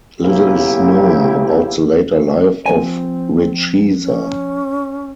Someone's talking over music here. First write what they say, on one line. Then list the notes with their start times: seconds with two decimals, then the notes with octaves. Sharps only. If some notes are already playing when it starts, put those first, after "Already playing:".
Little is known about the later life of Richeza.
0.22 B1 C#3 A#3 B3 E4 G4
2.66 F3 C4 G#5
4.02 C#4